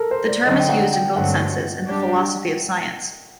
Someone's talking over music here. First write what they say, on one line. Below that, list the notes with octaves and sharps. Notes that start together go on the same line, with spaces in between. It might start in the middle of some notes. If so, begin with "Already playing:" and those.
The term is used in both senses in the philosophy of science.
Already playing: A4 A#4
C5
D5
D3 F#3 C4 D#4 D#5
G5
F#5
G5
G2 D3 F#3 A3 C4 F#5
G3 D4 G4